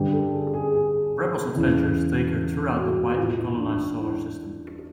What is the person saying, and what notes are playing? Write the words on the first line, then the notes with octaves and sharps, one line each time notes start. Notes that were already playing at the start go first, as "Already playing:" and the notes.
Rebel's adventures take her throughout the widely colonised solar system.
Already playing: G2 D3 G4
A4
G#4
G#4
G#4
E2 C#3 E3
F#4
A2 E3 F4
D#4
D4
E4